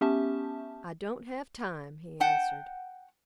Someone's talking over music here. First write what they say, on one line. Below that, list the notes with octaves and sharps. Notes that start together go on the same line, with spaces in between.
"I don't have time," he answered.
B3 C#4 G4 E5 A5
F#5 G5 A5